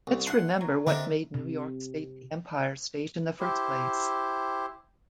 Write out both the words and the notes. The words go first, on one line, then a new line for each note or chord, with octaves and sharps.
Let’s remember what made New York State the Empire State in the first place.
C2
D4 E5 F#5 C6
F#3
D3 C4 D4 D#4 G4 A#4 E5
C3
E4 G4 C5